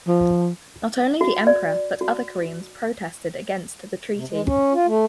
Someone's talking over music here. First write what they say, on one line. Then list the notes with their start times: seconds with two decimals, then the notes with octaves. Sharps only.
Not only the Emperor but other Koreans protested against the Treaty.
0.08 F3
1.21 F#4
1.47 D5
2.01 F#4
4.15 C3
4.30 G#3
4.46 C#4
4.73 F4
4.87 A3